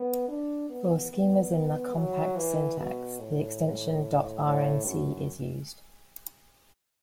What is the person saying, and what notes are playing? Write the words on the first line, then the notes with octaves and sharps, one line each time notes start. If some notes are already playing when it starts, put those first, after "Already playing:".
For schemas in the compact syntax, the extension ".rnc" is used.
Already playing: B3
D4
B3
B3
F#3
E3
B2
A2
A2
F#2